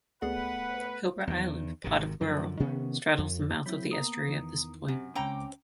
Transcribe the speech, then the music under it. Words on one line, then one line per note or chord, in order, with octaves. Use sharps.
Hilbre Island, part of Wirral, straddles the mouth of the estuary at this point.
C#2 A3 B3 G#4 B4 D5 F#5
E2 D#3
G#1 C3 D#3
F#2 D3 F3
C3 D#3 B3 C#4
F2
F#3 C4 E4 B5 G6
A#3 B3 A#5 D#6
E2 D#3 E3
F#2 C3
C#2 C4 C#4 G5 A#5 D6